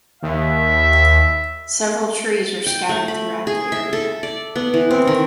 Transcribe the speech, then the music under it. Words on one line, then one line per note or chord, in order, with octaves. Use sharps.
Several trees are scattered through the area.
D#2 E5
G5
A3
B5
G#4
E5
A4
D5
B3
E3
C4
D#3